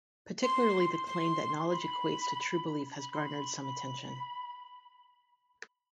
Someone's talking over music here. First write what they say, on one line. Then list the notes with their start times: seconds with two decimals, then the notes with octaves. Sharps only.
Particularly the claim that knowledge equates to true belief has garnered some attention.
0.43 C6
1.07 C6
1.70 B5
2.99 B5
3.12 C6
3.25 B5
3.63 B5